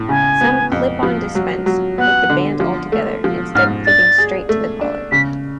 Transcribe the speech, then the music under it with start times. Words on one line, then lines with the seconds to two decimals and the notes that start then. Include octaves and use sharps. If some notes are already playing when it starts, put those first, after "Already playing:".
Some "clip-ons" dispense with the band altogether, instead clipping straight to the collar.
Already playing: A2
0.09 C#3 G#5
0.41 B3
0.72 F2
1.03 F3
1.35 F#3
1.66 F#3
1.98 B3 F#5
2.30 D3
2.60 F3
2.92 A3
3.24 F3
3.55 G#2 F6
3.86 D4 A6
4.18 G#4
4.49 A3
4.81 D4
5.12 C#3 B6